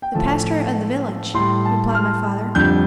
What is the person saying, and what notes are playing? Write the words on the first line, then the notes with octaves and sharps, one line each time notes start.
"The Pastor of the village," replied my father.
G5
A2 F3 A3 A5
A2 G3 C6
A5
F6
F2 D3 G3 G6